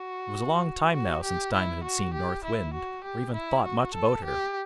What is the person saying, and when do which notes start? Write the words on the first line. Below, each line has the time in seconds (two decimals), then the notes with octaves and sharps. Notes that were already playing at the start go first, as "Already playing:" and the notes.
It was a long time now since Diamond had seen North Wind, or even thought much about her.
Already playing: F#4
0.93 F#4
1.23 G4
1.53 E4
1.84 F#4
2.13 G4
2.44 E4
2.74 F#4
3.04 G4
3.34 E4
3.64 F#4
3.94 A4
4.25 G4